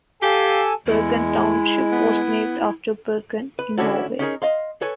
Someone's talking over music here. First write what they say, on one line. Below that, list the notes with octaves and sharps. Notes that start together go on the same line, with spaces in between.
Bergen Township was named after Bergen, in Norway.
G4 A4 F5 G#5 A5
E2 G#3 E4
B3
B4
D3 C#4 D4 E4 F#4 A4
C#4 D#4 G#4 A#4
D#5 F5 C6
A4 B4 C#5 G#5